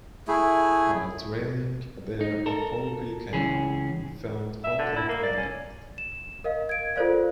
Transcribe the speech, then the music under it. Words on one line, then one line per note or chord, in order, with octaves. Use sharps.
While trailing a bear up Polique Canyon he found Holcomb Valley.
A3 E4 G#4
D#4
A4 A#4
C#2 E3 C#4 G#4
E5
D3
E4
A#3
D5
C#4
E7
A#4 D#5 F5
G#6 D7
F4 A4 A#4 C5 D5 F5